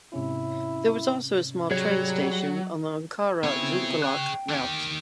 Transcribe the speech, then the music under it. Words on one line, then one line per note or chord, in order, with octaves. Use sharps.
There was also a small train station on the Ankara-Zonguldak route.
G#2 C3 C#4 E4
F#3 G3 G#4 C#5
B3 C4 E4 G#4 C#5
G5 F#6
D#3 G4